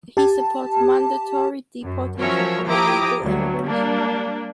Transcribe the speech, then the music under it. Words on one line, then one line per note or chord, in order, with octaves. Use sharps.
He supports mandatory deportation of illegal immigrants.
G4 A5
F#2
F3 F#3 C#4 A#4 C#5 E5
F3 E4 G4 A#5 D6 D#6
D2 F#3 G3
G3 A#3 D4